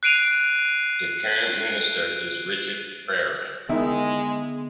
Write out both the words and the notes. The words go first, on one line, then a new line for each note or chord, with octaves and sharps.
The current Minister is Richard Ferrand.
F#6 C7 D7 D#7 F7
D3 D#3 G#3 B3 E4